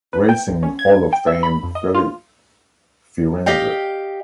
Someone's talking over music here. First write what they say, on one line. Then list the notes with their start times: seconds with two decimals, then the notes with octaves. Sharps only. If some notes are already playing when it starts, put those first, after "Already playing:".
Racing Hall of Fame filly, Firenze.
0.13 B4
0.29 G5
0.48 A1
0.63 C#4
0.79 G#6
1.13 G5
1.27 E5
1.43 B5
1.63 F2
1.75 D#5
1.95 F4
3.46 G4 D#5 F5 G5